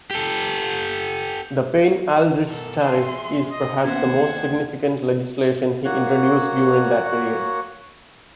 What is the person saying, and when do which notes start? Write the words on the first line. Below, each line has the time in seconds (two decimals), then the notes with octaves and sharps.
The Payne-Aldrich Tariff is perhaps the most significant legislation he introduced during that period.
0.11 G4 A4
2.49 B2 A4 A#4
2.83 G#4 C5 E5 G5 A5 C6
3.52 D#5
3.85 D#2 A#3 B3 C#4 C5 F#5 G#6
5.85 A#3 F#4 C#5 F#5